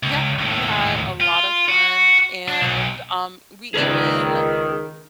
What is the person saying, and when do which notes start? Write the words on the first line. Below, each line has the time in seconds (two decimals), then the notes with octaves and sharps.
Yep, we had a lot of fun and, um, we even
0.03 C#2
0.39 D#2 A2
1.21 F4
1.68 F#4
2.48 D4
2.62 B1
3.74 C#2 D#3 G#4 B4 D5